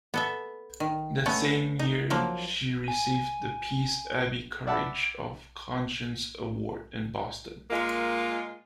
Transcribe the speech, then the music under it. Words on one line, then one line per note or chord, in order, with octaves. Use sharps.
That same year she received the Peace Abbey Courage of Conscience Award in Boston.
B3 A4 E5
D#3
A3 B3 C#4
D#4
F3 F#3 A#3
G#5 D#7
D5 E5 F#5 A5 B5
A#2 G#3 A#3 F4